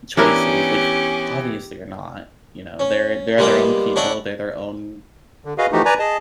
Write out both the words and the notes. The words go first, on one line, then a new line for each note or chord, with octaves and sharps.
choices," which obviously, you're not, you know? They're they're their own people, they're their own
E3 B3 C#4 D4 E4 G4 A#4
C#4
G3 G#3 A#3 B3 F5 G5
C#4 D4 E4 D#5 F#5 G5
D3
F#4 G#4 B4 D#5 F5
E3 F3 A3 D#4 F#4 G4
B4 D5 G#5 A#5
G#4 D#5 A5